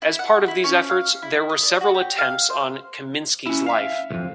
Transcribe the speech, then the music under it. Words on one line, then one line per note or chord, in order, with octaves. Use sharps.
As a part of these efforts, there were several attempts on Kaminski's life.
E4
F#5
E4
C#4
F5
E4
D#5
D5
F#4
G4
F5
C5
C#4 E4
E5 F5
C2 F2